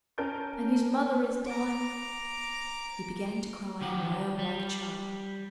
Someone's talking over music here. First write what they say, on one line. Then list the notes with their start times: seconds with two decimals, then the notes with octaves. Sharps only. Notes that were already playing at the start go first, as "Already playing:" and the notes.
And his mother is dying!' He began to cry and wail like a child.
0.18 C#4 A#4 A5 G6 D7
1.46 A#5 D6
3.81 D#3 F3 G4 F#5
4.39 G3